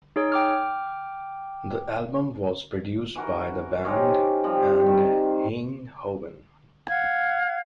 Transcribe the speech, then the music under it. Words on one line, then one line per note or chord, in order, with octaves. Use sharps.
The album was produced by the band and Hein Hoven.
D#4 G#4 C#5
G5 D6 F6
E3 F#4 A#4
C#4 D#4 G4 C5
C3 F3 G3 C4
D#3
F5 F#5 G#6